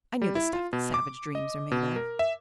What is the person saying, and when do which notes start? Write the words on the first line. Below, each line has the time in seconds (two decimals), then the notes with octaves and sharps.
I knew the stuff that savage dreams are made of.
0.22 G3
0.35 E4
0.53 F4
0.73 B2
0.94 D6
1.35 D#5
1.71 B2
1.96 A#4
2.19 E5